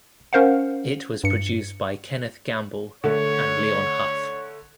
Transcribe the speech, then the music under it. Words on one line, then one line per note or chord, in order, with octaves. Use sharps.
It was produced by Kenneth Gamble and Leon Huff.
C#4 A#4 C5 F5 F#5
G2 C#7
D3 A3 C#5